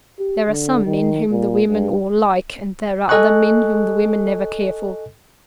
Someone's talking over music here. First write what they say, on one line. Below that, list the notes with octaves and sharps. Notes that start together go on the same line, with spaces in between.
There are some men whom the women all like, and there are other men whom the women never care for.
G4
D3
D#3
A#2
G2
A4 D#5 G#5 C#6 F#6